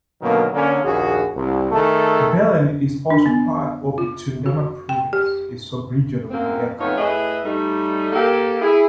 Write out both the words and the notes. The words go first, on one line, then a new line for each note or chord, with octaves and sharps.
Belen is also part of the Tundama Province a subregion of Boyaca.
F#2 B2 D3 D#3 F#3 A#3
D3 A#3 C#4
A#1 D#2 F#4 G#4
C2
D#3 A3 G#4 A4
D4
B3
F4
F#4
G5
G4
F#2 A#3 C4
F2 F3 A3 B3 D#4 C#5
A2 G#4 B4 D#5 E5
G3 A3 D#4
A#3 G4 A4
E4 G#4